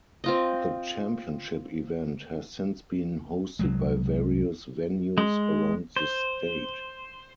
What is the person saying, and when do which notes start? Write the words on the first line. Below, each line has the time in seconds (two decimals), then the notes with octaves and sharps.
The championship event has since been hosted by various venues around the state.
0.24 C4 F4 D#5
3.59 C2 F#3 G#3
5.18 G#3
5.96 C5